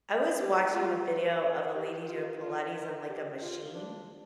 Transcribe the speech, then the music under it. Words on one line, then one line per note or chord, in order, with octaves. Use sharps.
I was watching a video of a lady doing Pilates on, like, a machine
G4
F4
G4
F4
F4
A#4
G4
F4
D4